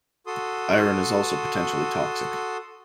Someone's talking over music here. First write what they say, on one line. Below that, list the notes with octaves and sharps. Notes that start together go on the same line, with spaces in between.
Iron is also potentially toxic.
F#4 A4 C6 D#6